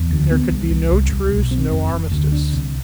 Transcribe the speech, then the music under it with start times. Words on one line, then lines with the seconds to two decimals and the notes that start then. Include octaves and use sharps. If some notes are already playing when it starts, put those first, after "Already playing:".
There could be no truce, no armistice.
Already playing: E2
0.10 D2
0.31 B3
0.51 C2
0.70 C2
0.91 C2
1.12 C2
1.32 B1
1.51 C4
1.72 F1
1.92 F1
2.11 D2
2.32 D4
2.53 C2